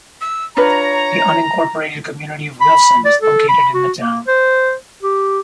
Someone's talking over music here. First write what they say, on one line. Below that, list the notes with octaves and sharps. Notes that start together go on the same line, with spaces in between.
The unincorporated community of Wilson is located in the town.
E6
D4 F4 B4 C#5 A#5
B5
D5
A4
B5
F#4
A#3
C5
G4